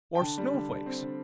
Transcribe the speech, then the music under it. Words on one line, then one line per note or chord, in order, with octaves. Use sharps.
Or snowflakes.
G5
D3 A5
G3
D3
D3
C4
D3